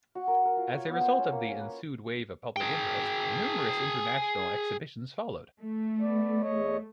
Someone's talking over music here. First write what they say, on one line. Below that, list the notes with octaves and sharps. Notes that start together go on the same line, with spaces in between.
As a result of the ensued wave of public interest, numerous international exhibitions followed.
F#4
A#4
A#4
F4
C#5
B3
C5
C#4
A#3
C#4
B4
G#4 G5
A3
B3 D5
E2 C#5 D#5